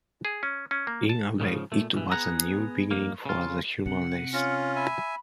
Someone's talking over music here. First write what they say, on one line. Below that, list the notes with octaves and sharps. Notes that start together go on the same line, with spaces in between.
In a way, it was a new beginning for the human race.
G#4
C#4
C#4
A#3
A5
G#2 C#3 F3
A#2 A3
B1 E3
B3 G#4 F#5 A#5
F2 A#3
C#3 F4
C3 F#5
C#4 F4 F6
E5 G#5 B5